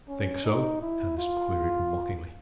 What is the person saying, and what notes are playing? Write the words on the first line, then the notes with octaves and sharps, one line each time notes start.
"Think so?" Ernest queried mockingly.
C#4
D#4
E4
F4